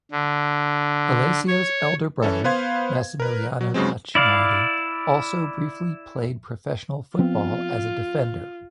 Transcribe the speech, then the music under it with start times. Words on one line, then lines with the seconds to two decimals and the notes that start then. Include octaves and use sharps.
Alessio's elder brother, Massimiliano Tacchinardi, also briefly played professional football as a defender.
0.12 D3
1.47 C#5
2.22 E3 C#4 E4 A4
2.44 B3 B4 C5 F5 C6 G#6
3.20 A#4 B4
3.61 F#3
3.74 G2 C#3 F#3 G#3 C4
4.15 E4 D5 F5
7.19 F3 B3 C4 F4